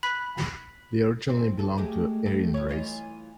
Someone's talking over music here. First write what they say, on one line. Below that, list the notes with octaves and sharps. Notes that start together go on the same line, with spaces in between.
They originally belong to Aryan Race.
B5 F#6 B6
D#3 C4 E5
D#2 A4
G#3 A3 G4
G3 A3 A4
E4 C#5
E3 F4 D#5